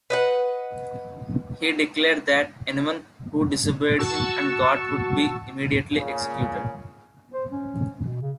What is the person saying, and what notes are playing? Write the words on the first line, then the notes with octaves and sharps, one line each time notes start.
He declared that anyone who disobeyed him and God would be immediately executed.
B4 D#5 F#5
F#4 A5 C#6 E6
A#2 C#3
C5
C#4
B2
C#3